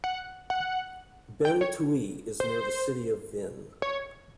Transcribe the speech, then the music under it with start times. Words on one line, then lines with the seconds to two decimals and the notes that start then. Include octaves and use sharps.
Ben Thuy is near the city of Vinh.
0.04 F#5
0.50 F#5
1.45 G5
1.61 C#5
2.40 C5
3.82 C#5